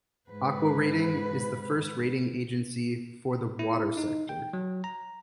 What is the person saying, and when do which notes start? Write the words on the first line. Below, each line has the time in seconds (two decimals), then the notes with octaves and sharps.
AquaRating is the first rating agency for the water sector.
0.30 G#2 B4
3.59 E4
3.97 D#4
4.29 G5
4.53 F#3
4.84 A#5